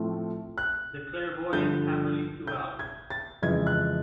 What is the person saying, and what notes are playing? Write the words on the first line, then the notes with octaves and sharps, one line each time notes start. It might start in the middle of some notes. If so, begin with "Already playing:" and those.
The Clare Voyants have released two albums.
Already playing: A2 F3 A3 C4
F#6
G2 D3 F3 G6
G6
G#6
A6
F2 C#3 E3 G#3 G#6
F#6